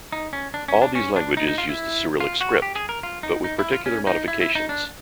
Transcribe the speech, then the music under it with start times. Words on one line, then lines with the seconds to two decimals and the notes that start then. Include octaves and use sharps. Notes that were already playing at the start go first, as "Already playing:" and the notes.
All these languages use the Cyrillic script, but with particular modifications.
0.13 D#4
0.33 C#4
0.54 D4
0.68 C#4
0.82 D4
0.95 C#4
1.16 D4
1.37 D#4
1.48 D#4
1.58 F4
1.69 E4
2.20 F4
2.41 F#4
2.62 G4
2.76 G#4
2.89 A#4
3.03 F4
3.23 D#4
3.44 D#4
3.59 E4
3.72 F4
3.86 C#4
4.07 D#4
4.28 E4
4.41 E4
4.55 D#4
4.69 D4